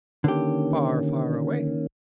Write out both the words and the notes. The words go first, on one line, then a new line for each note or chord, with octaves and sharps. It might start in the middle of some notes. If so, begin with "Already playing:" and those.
"Far, far away!"
D3 D#3 A#3 C#4 G4